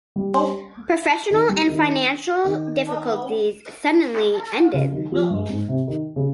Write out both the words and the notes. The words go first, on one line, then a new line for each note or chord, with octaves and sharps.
Professional and financial difficulties suddenly ended.
G3
D#3
G3
D#3
D#3
C#3
D#3
F3
G2
G#2
C3
D#3
C#3